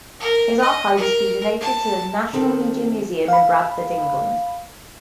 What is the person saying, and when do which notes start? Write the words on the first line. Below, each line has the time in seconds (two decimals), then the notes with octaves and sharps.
His archive is to be donated to the National Media Museum in Bradford, England.
0.20 A#4
0.61 D#5
0.97 A#4
1.61 A5
2.33 D#3 C4 A4
3.28 F5 B5